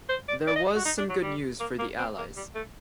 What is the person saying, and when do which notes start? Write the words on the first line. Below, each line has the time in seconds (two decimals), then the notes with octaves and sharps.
There was some good news for the Allies.
0.09 C5
0.28 D5
0.47 D5
0.56 D#5
0.76 F#4
0.85 D#4
0.98 D4
1.10 F#3
1.22 G3
1.60 A#3
1.79 A#3
1.98 C4
2.18 A#3
2.37 G3
2.55 A3